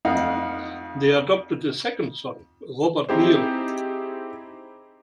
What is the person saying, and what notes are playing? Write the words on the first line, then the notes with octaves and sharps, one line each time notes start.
They adopted a second son, Robert Nearing.
F2 D#4 F5 F#5
C4 D#4 E4 G4 G#4 C5